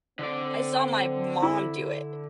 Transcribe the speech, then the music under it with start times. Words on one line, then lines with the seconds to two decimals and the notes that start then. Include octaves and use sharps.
I saw my mom do it.
0.19 D3 C4 D5
1.42 E4